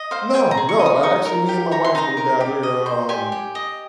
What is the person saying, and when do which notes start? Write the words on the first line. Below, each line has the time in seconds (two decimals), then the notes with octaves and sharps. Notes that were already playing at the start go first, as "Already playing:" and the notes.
No, no, actually, me and my wife moved out here, um
Already playing: D#5
0.11 C5 F5
0.34 G#4 G5
0.51 A#5
0.57 G#4
0.69 C#6
0.79 D#5
0.86 D#6
1.03 D#4 C#6
1.25 A#4
1.49 G4
1.71 C#5 A#5
1.84 C6
1.95 D#4 A#5
2.17 A#4
2.41 G4
2.63 D#5
2.86 C5
3.09 G4 G#5
3.32 G4
3.55 D#5